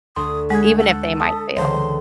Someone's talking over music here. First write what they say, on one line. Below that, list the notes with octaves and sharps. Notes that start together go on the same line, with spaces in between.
even if they might fail.
D2 C6 D#6
G#3 G#4 F#5 B5 G#6
A4 F#5 G6
A5 D#6 A6 B6
C#2 D3 E3 C5 C#5 C6